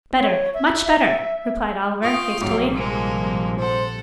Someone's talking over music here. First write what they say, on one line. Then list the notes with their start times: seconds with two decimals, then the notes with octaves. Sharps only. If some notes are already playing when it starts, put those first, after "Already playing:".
'Better--much better!' replied Oliver, hastily.
0.20 C#5
0.54 E5
2.03 F4 F5 G5 C#6 D#6
2.41 A#1 G#2 C3 F#3 G3
2.75 F3 G#3 A#3
3.59 A4 C5 F#5